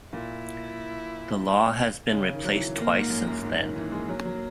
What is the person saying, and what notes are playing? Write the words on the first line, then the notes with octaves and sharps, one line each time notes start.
The law has been replaced twice since then.
A#2 E4
C#3
D#3
F#3
E3
A#2 A#3
G#2
F#2
F#2
G#2 A#3
D#3
E3
G#3
F#3
F#3